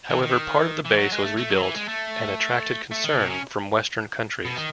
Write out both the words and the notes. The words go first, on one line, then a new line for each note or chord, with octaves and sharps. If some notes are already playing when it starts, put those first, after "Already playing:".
However, part of the base was rebuilt and attracted concern from Western countries.
E3
D#3
E3
F#3
G#3
A3
A3
F#3
E3
G#3
A3
A3
D#3
B2
C#3
B2
D#3